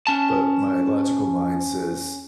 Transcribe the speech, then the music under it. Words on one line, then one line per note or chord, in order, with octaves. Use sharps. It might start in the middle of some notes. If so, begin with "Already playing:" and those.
But my logical mind says,
C#4 A5